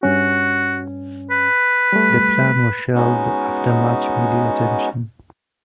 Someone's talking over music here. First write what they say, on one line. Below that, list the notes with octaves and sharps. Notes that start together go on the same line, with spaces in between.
The plan was shelved after much media attention.
G2 C#4 F#4
B4
G3 A3
G#3 B3 C#4 D#4 F#4